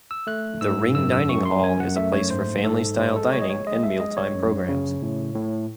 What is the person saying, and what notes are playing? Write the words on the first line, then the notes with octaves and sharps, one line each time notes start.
The Ring Dining Hall is a place for family style dining and mealtime programs.
E6
A3 F#6
G#2 E6
F#2 E6
E6
F#2 C#6
C6
F#2 G#5
F#5
A3 E5
C#5
G#2 C5
G#2 A4
G#3 C5
A4
G#3 C#5
D#5
C#5
G#3 D#5
E5
G#3 D#5
C#5
F#2
C#3
A2
A2